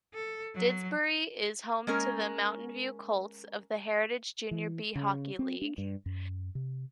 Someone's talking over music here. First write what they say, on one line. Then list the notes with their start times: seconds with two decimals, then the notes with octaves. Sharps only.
Didsbury is home to the Mountainview Colts of the Heritage Junior B Hockey League.
0.14 A4
0.54 F#3
1.87 G#3 A#3 C#4 A#4
4.51 E3
4.96 C#3
5.39 C4
5.62 D4
5.78 G2
6.06 F#2
6.55 C3